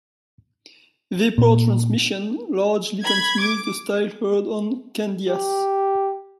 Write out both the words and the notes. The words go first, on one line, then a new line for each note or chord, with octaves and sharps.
"Vapor Transmission" largely continues the style heard on "Candyass".
A#2
B5 G#6
D6
G4